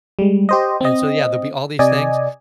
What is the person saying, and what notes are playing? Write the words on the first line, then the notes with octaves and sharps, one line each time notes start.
And so yeah, there'll be all these things,
G3 G#3
G4 C5 D#5
C4 D#5
C3 D5 D#5 G#5